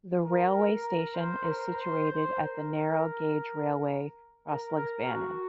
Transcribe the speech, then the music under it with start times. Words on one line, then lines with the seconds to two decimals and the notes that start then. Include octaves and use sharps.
The railway station is situated at the narrow gauge railway Roslagsbanan.
0.23 A#4
0.84 A#4
1.14 C5
1.44 A#4
1.74 C5
2.04 C5
2.35 A#4
4.46 A#4
4.76 A#4
5.06 F#4